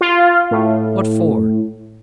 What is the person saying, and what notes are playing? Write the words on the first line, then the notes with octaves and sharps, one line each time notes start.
"What for?"
F4
A2